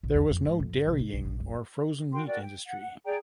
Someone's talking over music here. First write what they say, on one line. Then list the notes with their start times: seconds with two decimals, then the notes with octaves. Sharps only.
There was no dairying or frozen meat industry.
0.03 A#1
0.15 E2
0.30 F2
0.46 G#2
0.60 F2
0.73 G1
0.87 C2
0.99 D#4
1.13 B1
1.25 A#1
1.40 F#1
2.11 F#4 A#4 G5 C6
2.27 F#4 A#4 D5 G5
2.41 G5
2.66 F#5
3.04 G#4 D5 G5 A#5